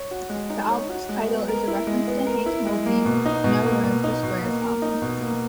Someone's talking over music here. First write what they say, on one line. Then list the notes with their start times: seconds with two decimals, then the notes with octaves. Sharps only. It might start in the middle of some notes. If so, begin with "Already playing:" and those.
The album's title is a reference to Hank Mobley's "No Room for Squares" album.
Already playing: C#5
0.11 F#4
0.30 G#3
0.50 D#4
0.70 C#5
0.89 F#4
1.09 G#3
1.28 B3
1.48 A#4
1.68 E4
1.87 G#3
2.08 B3
2.27 A#4
2.46 E4
2.67 G#3
2.86 A#3
3.05 B2
3.26 D#4
3.44 B2
3.64 A#3
3.84 B2
4.04 D#4
4.23 B2
4.43 A#3
4.62 A#4
4.82 D#4
5.02 B2
5.21 A#3